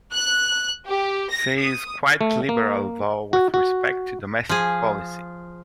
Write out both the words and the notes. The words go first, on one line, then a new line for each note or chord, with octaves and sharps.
She is quite liberal though with respect to domestic policy.
F#6
G4
A#6
D#6
A3
A#3
F#4
F#4
F3 G#4